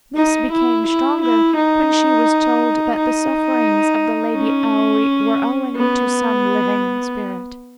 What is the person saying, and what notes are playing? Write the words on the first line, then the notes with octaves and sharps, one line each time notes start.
This became stronger when she was told that the sufferings of the Lady Aoi were owing to some living spirit.
D#4
E4
E4
E4
D#4
D#4
C#4
B3